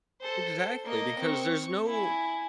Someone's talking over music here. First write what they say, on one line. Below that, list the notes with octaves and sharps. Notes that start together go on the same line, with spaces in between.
Exactly, because there's no
A4 C5
A#3 D#5
C4 C#6
E4 G#5